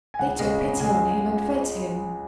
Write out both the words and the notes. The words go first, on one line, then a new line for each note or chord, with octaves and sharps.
They took pity on him and fed him.
G#5
C#2 F#5
C#3 G#3 D#5
C#2 D#5
C#3 G#3 G#5